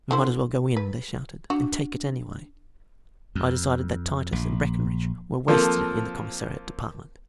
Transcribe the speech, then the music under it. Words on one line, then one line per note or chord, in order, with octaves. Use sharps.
"We might as well go in," they shouted, "and take it anyway!" I decided that Titus and Breckenridge were wasted in the Commissariat Department.
D3 E4 C5
B4
D4 F#4
F2
A#1
F3 A#3 C4 F4 A4